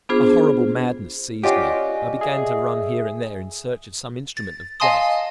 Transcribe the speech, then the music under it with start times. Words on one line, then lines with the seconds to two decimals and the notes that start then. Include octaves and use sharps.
A horrible madness seized me; I began to run here and there in search of some instrument of death.
0.09 B3 D4 F4 G#4 C5
1.43 C#4 F4 G4 D5 D#5 F#5
2.21 A3 G#4
4.37 A6
4.80 D#5 F5 G#5 A5 C6 D#6